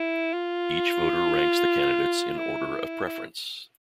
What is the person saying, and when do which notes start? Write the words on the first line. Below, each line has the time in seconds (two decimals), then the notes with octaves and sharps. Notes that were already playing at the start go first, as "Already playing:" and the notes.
Each voter ranks the candidates in order of preference.
Already playing: E4
0.33 F4
2.38 E4
3.06 E4